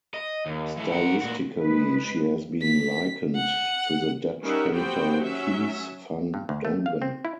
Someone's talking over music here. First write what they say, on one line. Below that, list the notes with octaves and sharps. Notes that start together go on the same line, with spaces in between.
Stylistically she has been likened to the Dutch painter Kees van Dongen.
D#5
D#2
E3 A3
A#4 F#5
A#2 F#4
G#3 B4
B6
F#5
G3 C#4 D#4 A#4 E5 F#5
B3 C4 F#4 G4 C5 G5
F#3 C#4 E5
G2
D2
A3
F5
C4
E4